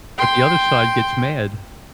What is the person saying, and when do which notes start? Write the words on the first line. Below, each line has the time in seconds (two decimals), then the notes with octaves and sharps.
But, the other side gets mad.
0.18 G5 C6